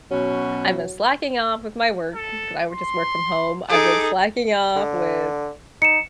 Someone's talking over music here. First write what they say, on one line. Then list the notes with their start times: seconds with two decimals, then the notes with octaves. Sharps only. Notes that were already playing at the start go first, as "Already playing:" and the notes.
I've been slacking off with my work 'cause I would just work from home. I've been slacking off with,
0.11 B2 F#3 C#4 F#4
2.14 A4
2.71 C6
3.69 D#4 G#4 A4 D6
4.76 D3
5.82 D#4 C#7 E7